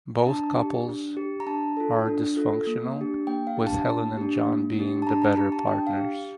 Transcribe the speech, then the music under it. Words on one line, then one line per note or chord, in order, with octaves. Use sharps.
Both couples are dysfunctional with Helen and John being the better partners.
A#5
D4 A5
G4
D4
G4
A#5
D4 A5
F4 A4
D4
F4 A4
A#3
D4 G4
A#3 G5
F5
D4 G4
A5
A#3
D4 G4
A#3
D4 G4
A5
D4 A#5
A#5
G4 A#5
A5
D4 G5
F5
G4